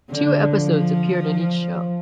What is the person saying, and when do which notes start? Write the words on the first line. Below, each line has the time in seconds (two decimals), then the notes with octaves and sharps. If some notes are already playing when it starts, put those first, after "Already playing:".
Two episodes appeared in each show.
0.10 D3
0.55 F3